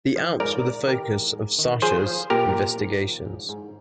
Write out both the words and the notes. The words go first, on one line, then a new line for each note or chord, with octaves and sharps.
The Alps were the focus of Saussure's investigations.
F3
G#2 A#4 D5
G#2
D#3 G4 A#4
G#2
G#2
D#3
F3 G#4 C5
F3
A#2 G4 A#4
A#2
G#2
F3
G#2
G#2